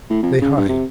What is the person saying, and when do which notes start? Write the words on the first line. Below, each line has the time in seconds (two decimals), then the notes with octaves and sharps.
They hide.
0.10 A2
0.23 F2
0.42 C#3
0.57 G2
0.69 C3